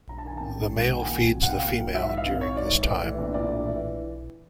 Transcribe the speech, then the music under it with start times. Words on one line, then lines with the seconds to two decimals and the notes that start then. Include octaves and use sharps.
The male feeds the female during this time.
0.09 G2 A#5
0.18 A5
0.25 D#3 G#5
0.37 A1 G5 A5
0.55 G#3
0.71 G2
0.86 D#3
0.93 G5
1.02 A#2 F#5 G#5
1.17 F#3
1.33 C2
1.43 F#5
1.48 C2 F5 G5
1.64 A#2
1.79 F#3
1.94 G#2 E5 F#5
2.09 E3 E5
2.17 D#5 F5
2.26 G#1
2.41 G#1 C#5
2.56 G#2 D5
2.72 E3
2.87 A2 D5
3.04 E3
3.18 A#1
3.34 A#1 D5
3.49 A2
3.65 E3